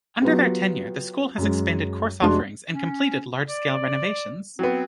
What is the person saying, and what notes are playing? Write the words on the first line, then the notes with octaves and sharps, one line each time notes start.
Under their tenure, the school has expanded course offerings and completed large-scale renovations.
F#3 B3 F4 G4
F#2 G#3
F1 G#3 D4 F#4 C6
C#4
D5
F#3 B3 C4